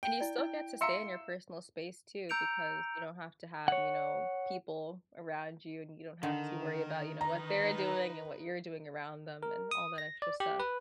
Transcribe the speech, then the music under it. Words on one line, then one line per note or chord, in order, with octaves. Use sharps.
And you still get to stay in your personal space too because you don't have to have, you know, people around you, and you don't have to worry about, you know, what they're doing and what you're doing around them and all that extra stuff,
G5
E4 D5
E4
E5 F5 A#5 C6 E6 C#7
A#5 E6 G6 C#7 D7 F7
C#5 F#5
D3 D#3 A#4
D#4 B4 A#5
A#4
D#6
A#6
D5
G4
B4